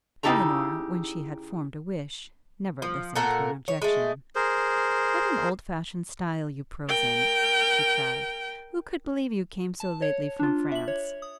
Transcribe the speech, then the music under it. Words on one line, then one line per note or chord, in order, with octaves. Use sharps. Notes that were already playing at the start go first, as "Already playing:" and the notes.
Elinor, when she had formed a wish, never listened to an objection. 'What an old fashioned style you prose in!' she cried; 'who could believe you came so lately from France?
C#3 D#4 E4 G4 A4 A#5
F3
A#2 A4 A#4 F#5
C#5
G#3 A3
G#4 A#4 C5
A#4 G5
A5
C#5
D4 F4
E5 F#7
C#5
D#6